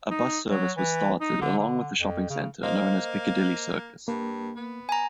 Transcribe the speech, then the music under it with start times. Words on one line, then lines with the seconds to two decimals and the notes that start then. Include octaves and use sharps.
A bus service was started along with a shopping centre, known as Piccadilly Circus.
0.11 D#4
0.48 F#3
0.77 E3
1.21 D#4
1.41 D3
1.58 D3
2.01 F2
2.30 C#3
2.63 A#3 C5 D#5 F5
4.08 G2 A#3
4.56 B3
4.89 G#5 A#5